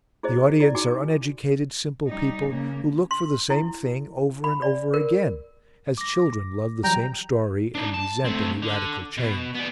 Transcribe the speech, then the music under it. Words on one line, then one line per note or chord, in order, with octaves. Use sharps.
The audience are uneducated, simple people who look for the same thing over and over again, as children love the same story and resent any radical change.
E4 G#4 C5 D#5
E4 D5
D#4 F#4 G#5 D6
G3 D#4
C#3 A#3
C6
E4
B5
D5
A#4
D6 A#6
E3 F#3 G3 G5 A#5
D4 D#4
A5
A3 C4
D3
B2
B3 D5